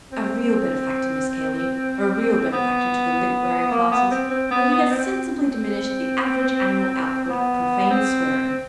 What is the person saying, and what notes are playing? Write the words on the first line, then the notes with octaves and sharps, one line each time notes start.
'A real benefactor, Miss Cayley; a real benefactor to the link-wearing classes; for he has sensibly diminished the average annual output of profane swearing.'
C4
B3
A#3
B3
C4
C4
B3
B3
C4
C4
B3
C4